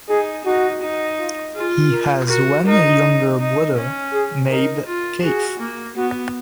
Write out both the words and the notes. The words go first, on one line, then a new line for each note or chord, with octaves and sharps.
He has one younger brother, named Keith.
D#4 G#4
D#4 F#4
D#4
F4
F4 G#4
A#4
F#4 A#4
D#4 A#4
D#4
C#4
G#4
D#4 A#4
F4
F#4 G#4
A#3
B3 F#4